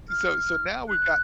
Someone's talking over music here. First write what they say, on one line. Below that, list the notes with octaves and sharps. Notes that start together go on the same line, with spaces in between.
so so now we've got
F6
F#6